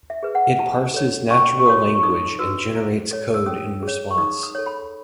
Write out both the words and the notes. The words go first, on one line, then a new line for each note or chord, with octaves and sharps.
It parses natural language and generates code in response.
E5
G#4 B4
F#5
E4 A5
A4 C#5
C#4 C#6
C#6
F#4 A4 C#5 D#6
C#6
D#4 D#6
F#4 B4 E6
E4
A4 C#5
E6
C#4 D#6
G#4 C#5
C#6
D#4 D#6
D#6
A4 C#5
B5